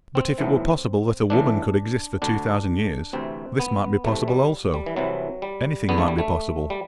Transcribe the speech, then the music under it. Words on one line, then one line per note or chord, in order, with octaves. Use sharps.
But if it were possible that a woman could exist for two thousand years, this might be possible also--anything might be possible.
C4
B1 A2 E3
A1 A2 E3 D4
D2 D3 D4
D2 C3 E3 C4
B3
C2 C3 E3 A3
G3
G3
E3
C2 C3 E3 F#3
G3
E2 D3 B3
A3
G3
A3
G3